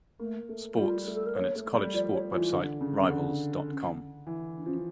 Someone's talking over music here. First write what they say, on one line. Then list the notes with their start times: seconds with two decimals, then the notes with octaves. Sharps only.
Sports and its college sports website Rivals dot com.
0.19 A3 A#3
0.49 A3
0.77 G3 F4
1.07 A3
1.14 A4
1.26 A#4
1.35 A#3 C#5
1.56 A3
1.74 G3
1.94 F3 D5
2.08 F3
2.13 C#5
2.33 E3 F4
2.53 D3
2.81 C#3
3.00 C#4
3.06 C#3
3.10 D3 D4
3.69 C#4
4.27 E3
4.57 D4
4.66 F3 C#4